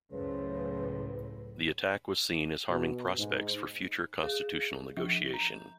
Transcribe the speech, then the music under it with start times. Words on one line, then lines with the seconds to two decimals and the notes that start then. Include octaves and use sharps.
The attack was seen as harming prospects for future constitutional negotiation.
0.12 C#2 F#2 A2 C#3 B4 C5
2.69 B2
3.18 G#2
4.23 G#4
4.97 F3
5.34 A#5